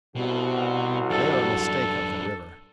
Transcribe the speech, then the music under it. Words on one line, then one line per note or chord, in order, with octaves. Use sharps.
They are a mistake up the river.
C2 B2 F#4
F#2 D4 A4